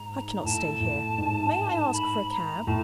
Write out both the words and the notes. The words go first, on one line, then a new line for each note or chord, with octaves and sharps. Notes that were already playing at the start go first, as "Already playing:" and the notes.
'I cannot stay here. May I ask for a cab?'
Already playing: G#2 A#5
A2 A5
A2
G#2
B5
A#5
A2 A5